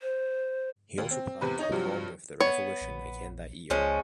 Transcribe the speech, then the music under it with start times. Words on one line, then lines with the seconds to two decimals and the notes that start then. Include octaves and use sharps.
He also planned to perform with The Revolution again that year.
0.01 C5
0.98 D#2
1.11 C4
1.41 E2 C3 B4
1.59 D#4 C#5 D#5
1.72 G2 C3 F3 F#3
2.40 B3 C#5
2.81 A#1
3.70 C#2 F3 G#3 C#4